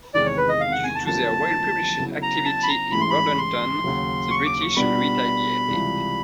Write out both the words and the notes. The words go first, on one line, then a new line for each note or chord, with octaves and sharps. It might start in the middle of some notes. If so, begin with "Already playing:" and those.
Due to their well-published activity in Bordentown, the British retaliated.
E2 C3 D#3 G#3 D5
C#5
B4
D#5
F5
F#5
G#5
A5
F1 F2 D3 F#3 A#3 A5
C#3 F#3 B3 E4 G#4
A#5
A5
B5
A#5
A1 G#2 E3 G#3 C#4 B5
C6
B5
C6
D#2 C#3 F#3
C#6
D6
C#6
B2 G3 B3 D4 F4 B5
C#2 C3 E3 G3